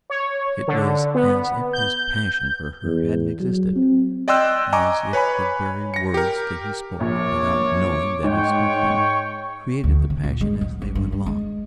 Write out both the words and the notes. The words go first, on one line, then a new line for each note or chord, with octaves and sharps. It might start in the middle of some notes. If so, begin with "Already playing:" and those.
It was as if his passion for her hadn't existed; as if the very words that he spoke, without knowing that he spoke them, created the passion as they went along.
C#5
D3
B3
G6
E2
F#3
C4
D5 D#5 G5 C6 E6 F#6
D#5 G#5 A#5 C#6 D6
B4 C#5 G#5 B5
A#6 C#7
G4 A#4
A#1 C#5 D6
G#2 C#5 G5 C#6
D2
C3
A#2
G#3
F#3
A1
G2
G2
G#3